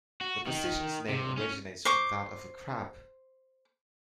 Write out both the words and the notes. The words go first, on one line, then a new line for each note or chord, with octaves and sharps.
The position's name originates from that of a crab.
F#4
D#3
C3
C#4
C5 C#6 D6